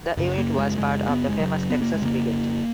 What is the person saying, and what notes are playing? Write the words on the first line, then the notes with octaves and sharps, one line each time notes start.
The unit was part of the famous Texas Brigade.
F#2 C#3
A#3
G#3
F#2 C#3 G#3
B3
G#3
F#2 C#3 F#3
B3
A#3
G#3
F2 C#3 A#3